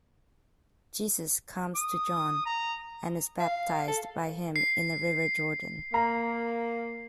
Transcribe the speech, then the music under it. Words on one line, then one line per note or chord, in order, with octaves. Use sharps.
Jesus comes to John, and is baptized by him in the river Jordan.
D#6
A#5
F5
A4
C7
A#3 A#5